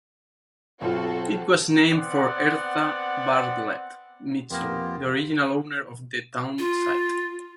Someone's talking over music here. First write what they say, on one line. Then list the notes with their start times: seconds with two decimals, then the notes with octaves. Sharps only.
It was named for Ezra Bartlett Mitchell, the original owner of the town site.
0.81 B1 C4 F4 F#4 A4
1.91 B3 C4 D5 F#5
4.51 F2 A#3 B3 F4 G4 A#4
6.58 F4